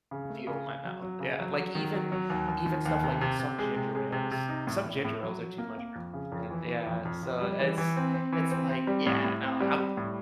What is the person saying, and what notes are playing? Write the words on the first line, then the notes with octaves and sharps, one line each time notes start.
feel my mouth." Yeah, like even even stuff, like, some ginger ales some ginger ales are too much for me, and yeah, so it's it's like, yeah, no, I'm
C#3
A3
C#3
C#3
F#3
F#3
C#3
F#3
F#3
D#3
F#3
F#3
D#2
D#2
D#3
D#2
C3
C3
C3
G#3
C3
G#3
C3
C3
D#4
A2
A2
A2
F#3
F#3
A#3
A#3
F2
C#3
F2
E3
E3
F2
F2
F2
G3
E3
E3
C4
C4
E3
C4
C4
G3
A2
A2
C4
G3
G3
A2